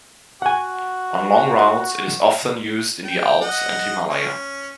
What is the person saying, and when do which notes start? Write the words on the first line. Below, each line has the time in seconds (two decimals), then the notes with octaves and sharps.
On long routes it is often used in the Alps and Himalaya.
0.42 F#4 F#5 G#5
3.05 G5
3.41 D#5 F#5
4.10 C#4